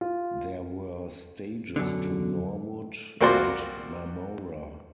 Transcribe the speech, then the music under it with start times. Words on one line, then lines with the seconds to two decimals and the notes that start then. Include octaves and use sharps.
There were stages to Norwood and Marmora.
0.01 F4
1.76 F#2 B2 D3
3.21 C2 A#3 C4 F#4 D5 C6